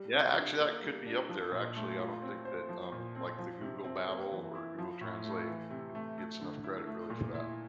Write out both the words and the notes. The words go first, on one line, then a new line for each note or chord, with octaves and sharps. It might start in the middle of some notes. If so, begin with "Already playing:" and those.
Yeah, actually, that could be up there, actually, I don't think that, um, like, the Google Babble or Google Translate get gets enough credit, really, for that.
Already playing: G3
C3
D4
A#3
G3
D4
F3
A#2
A3
F4
C4
C5
F3
A#2
C4
F3
C3
C4
A#3
E3
E4
F3
A2
A3
E3
C3
A3
A3
D3
E4
A3
A#2
E4